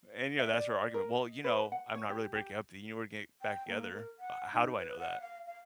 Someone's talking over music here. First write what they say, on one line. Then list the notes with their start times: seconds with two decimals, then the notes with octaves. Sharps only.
And, you know, that's her argument, "Well, you know, I'm not really breaking up, th you know we're get back together." H how do I know that?
0.39 E5
0.53 D5
0.94 A#4
1.15 D#5
1.44 B4
1.72 F#5
1.95 C#5
2.10 G4
2.36 G4
3.42 G5
3.68 A#3
3.93 A#4
4.19 F#5
4.53 D#4
4.78 B4
4.99 F#5
5.21 F5
5.46 F5